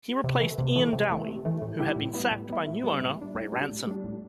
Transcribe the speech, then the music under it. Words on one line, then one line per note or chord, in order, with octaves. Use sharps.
He replaced Iain Dowie, who had been sacked by new owner Ray Ranson.
C3
E3 A3
C3
E3 A3
C3
E3 A3
C3
E3 A3
A2
G3 B3 E4
A2
G3 B3 E4
A2
G3 B3 E4
A2
G3 B3 E4
A2
G3 D4
A2
G3 D4
A2
G3 D4
A2